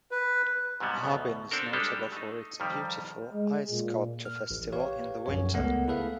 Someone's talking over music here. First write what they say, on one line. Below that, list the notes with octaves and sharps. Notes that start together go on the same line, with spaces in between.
Harbin is notable for its beautiful ice sculpture festival in the winter.
B4
G#2 C3 F#3 G3 B3
D2 B2
C4 D4 A4 A#4
G3 G#3 D4 G4 A4
A3 D#4
F2 D#3 G3
G#3
A#2
F6
A1
G4 B4 C#5 F5
A#1 F#2 C#5
C#2 A3 B3 A4 A#4 F#5
E4 G#4 A4 B4 E5 F5